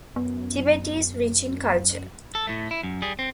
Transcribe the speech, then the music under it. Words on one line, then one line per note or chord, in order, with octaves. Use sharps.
Tibet is rich in culture.
F#2 B3
A4
A2 A3
E4
F#2
G3 G#4
C4